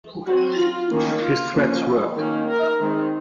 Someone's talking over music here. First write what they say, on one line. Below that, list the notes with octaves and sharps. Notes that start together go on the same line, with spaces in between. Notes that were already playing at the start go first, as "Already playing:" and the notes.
His threats worked.
F#3 C4 F#4
F4
D#3 A#3 C#4
F4
F3 A#3 C#4
D#3 A#3 C#4
A#4
D#3 G#3 C4